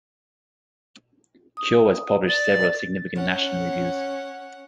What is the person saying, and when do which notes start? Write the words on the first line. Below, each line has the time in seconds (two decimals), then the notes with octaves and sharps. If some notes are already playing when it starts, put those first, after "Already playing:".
Keogh has published several significant national reviews.
1.57 D#6
2.29 D5 A6
3.15 C#4 F#5